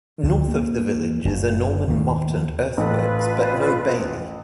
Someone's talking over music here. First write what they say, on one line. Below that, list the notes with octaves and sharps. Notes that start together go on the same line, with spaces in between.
North of the village is a Norman motte and earthworks but no bailey.
D2 D3 F3
A#3
F#1
D#2 C#3
A1 F4 A4 B4